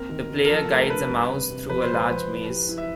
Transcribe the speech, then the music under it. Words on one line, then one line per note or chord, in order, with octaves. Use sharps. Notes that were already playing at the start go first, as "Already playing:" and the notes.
The player guides a mouse through a large maze.
Already playing: A#3 C4 A#4
D#3
D#3
A#4
F3 A4
A3 A#4
D4 B4
G3
C3
C3
F3 B4
C5
G#3 B4
F3
E4
G4
E4
E5